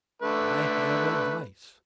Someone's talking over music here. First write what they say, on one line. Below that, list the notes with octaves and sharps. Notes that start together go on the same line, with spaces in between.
I have advice.
D3 A3 B4